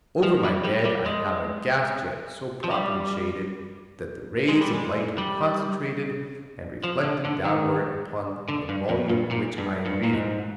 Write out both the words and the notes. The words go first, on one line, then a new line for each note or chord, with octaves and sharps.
Over my bed I have a gas-jet so properly shaded that the rays of light are concentrated and reflected downward upon the volume which I am reading.
F3
G3
G3
G3
G#3
F3
G3
G#3
G3
G#3
G3
F3
D3
D3
D#3
D3
G2
F2
G2
A#2
G2
G2
A#2
G#2